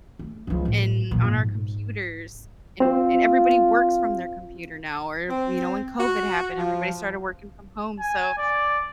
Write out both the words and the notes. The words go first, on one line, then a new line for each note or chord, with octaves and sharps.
and on our computers, and and everybody works from their computer now, or you know, when COVID happened, everybody started working from home, so,
A3
C#2 F3
A1 A2
A#2 F3
G#2
C4 F4 C5
C4
F#4
F3
G#5
D5